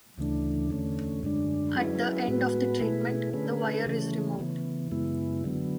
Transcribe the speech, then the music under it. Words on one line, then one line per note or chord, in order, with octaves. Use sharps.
At the end of the treatment the wire is removed.
D2 C#3 E3 A3 D4
E2 D3 A3 C#4
F#2 D3 G#3 D4
F#3 C#4 E4 G#4 B4
A2 G#3 B3 F#4 B4
B2 A3 E4 G#4 B4
D3 A3 C#4 G#4 B4
C#3 E3 A3 C#4
C#3 E3 B3
F#2 C#3 G#3 B3 E4
D3 F#3 B3